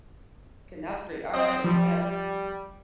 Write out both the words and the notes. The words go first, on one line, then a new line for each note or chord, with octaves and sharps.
Canal Street. Alright, that
C4 D#5
F3 G3
G3